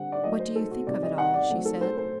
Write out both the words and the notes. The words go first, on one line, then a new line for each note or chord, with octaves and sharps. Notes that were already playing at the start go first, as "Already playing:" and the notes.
"What do you think of it all?" she said.
Already playing: D3 G3 C4 F#5
D5
F#3 A3 D#4 D#5
C5
A4
F#4
C3 G3 C4 D#4 D5
D#5
F#5
D5
F#3 A3 C4
A4
C5
C5